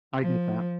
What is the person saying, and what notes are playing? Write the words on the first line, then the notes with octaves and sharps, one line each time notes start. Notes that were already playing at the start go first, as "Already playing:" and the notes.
I get that.
F3